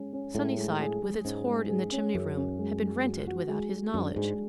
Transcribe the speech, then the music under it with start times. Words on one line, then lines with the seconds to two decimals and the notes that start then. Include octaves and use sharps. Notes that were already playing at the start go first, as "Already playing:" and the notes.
Sunnyside, with its hoard in the chimney-room, had been rented without his knowledge!
Already playing: G#3 C#4
0.13 C#4
0.34 A2 G#3
0.58 G#3
0.80 G#4
1.02 G#3
1.24 G#2 C#4
1.46 G#3
1.69 G#4
1.92 C#4
2.15 F#2 G#4
2.37 C#4
2.59 G#3
2.82 G#3
3.04 F#4
3.27 F#4
3.49 G#3
3.71 G#3
3.93 F#2 D4
4.16 G#2 G#3